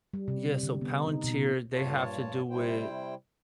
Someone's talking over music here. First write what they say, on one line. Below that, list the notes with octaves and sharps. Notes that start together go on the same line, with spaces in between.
yeah, so Palantir, they have to do it
G3
C3
D3
B3
D#4
B2
G2 A#2 F4 C#5 A5
C3 G3 E4 C5 G5